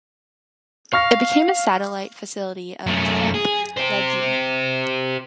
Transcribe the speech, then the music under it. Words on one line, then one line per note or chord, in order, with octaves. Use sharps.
It became a satellite facility of Camp Lejeune.
F5 C#6 F6 A#6
F#2 A3
G#4
G4 C5